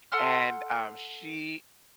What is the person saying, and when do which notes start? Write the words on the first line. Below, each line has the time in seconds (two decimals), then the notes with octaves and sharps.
and, um, she
0.12 A4 F#5 C6 F6